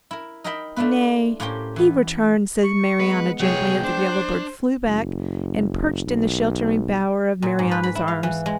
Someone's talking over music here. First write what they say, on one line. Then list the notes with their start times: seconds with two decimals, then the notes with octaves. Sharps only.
"Nay, he returns," said Marianna, gently, as the yellow bird flew back and perched in the sheltering bower of Marianna's arms.
0.11 E4 A#4
0.44 D#4 A#4 D#5 E5 G5 B5
0.76 A3 D4 E4 F4 B4
1.40 A2 A#3 C#4 G4 C5 G5
1.76 E3 B3
2.64 C#6
3.00 G#3 B3 B4 C#7
3.40 C2 F#3 G#4 C#5 G5
3.84 D4 C5
4.86 F#1
6.07 B1
7.42 A#2
7.59 G#2
7.71 B4
7.83 B5
7.95 E4
8.08 F5
8.23 E3
8.46 G#3